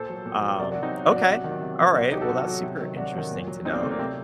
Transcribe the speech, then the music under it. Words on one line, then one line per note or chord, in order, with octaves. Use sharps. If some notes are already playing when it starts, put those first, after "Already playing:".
Um, okay, alright. Well, that's super interesting to know.
Already playing: A#2 A4 C5
F#3
A#2
F#3
C3 A#4 D5
D4 F#4
F#3
C4 D#4
C3
D4 F#4
F#3
D4 F#4
C3
D#3 F#3
C3
D#3 F#3
C3 D4 F#4
F#3 D#4 G4
F#4 A4
C3
F#3
C3
D#3 F#3
C3 D4 F#4
D#3 F#3
A#2
F#3
A#2 C4 D#4
A#3 D4
F#3 A3 C4
A#3 D4
C3 A3 C4